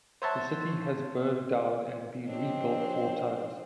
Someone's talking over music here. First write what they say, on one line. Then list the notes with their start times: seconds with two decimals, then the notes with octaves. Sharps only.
The city has burned down and been rebuilt four times.
0.22 C5 C#5 E5 F#5 A5 C6
2.26 F3 C4 D4 G4 C5 C#5 D#5